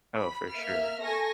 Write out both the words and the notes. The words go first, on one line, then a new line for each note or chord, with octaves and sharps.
Oh, for sure.
B5
A#3 E5 F6
A4 G#5 C#6 A#6